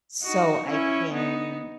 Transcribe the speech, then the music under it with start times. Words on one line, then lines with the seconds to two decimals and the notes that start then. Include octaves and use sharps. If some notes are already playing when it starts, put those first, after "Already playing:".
so I can
0.23 D#4 F#4
0.68 C#4 E4
1.13 B3 D#4